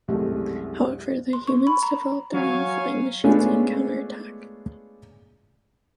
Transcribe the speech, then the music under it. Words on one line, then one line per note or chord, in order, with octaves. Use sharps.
However the humans develop their own flying machines and counterattack.
C2 F#2 C3 G#3 A3
C6
C#6
B5
A#5
F#3 F5 G#5 C#6
G#3 A3 B3 C#4 D4 F4